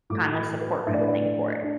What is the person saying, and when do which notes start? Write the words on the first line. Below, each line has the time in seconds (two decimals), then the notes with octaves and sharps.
kinda support kinda thing for it.
0.10 A2 F#3 A3 D6
0.35 B5
0.61 B4
0.86 A2 A3 D4 E5
0.94 D5
1.01 B4
1.08 D5
1.63 D4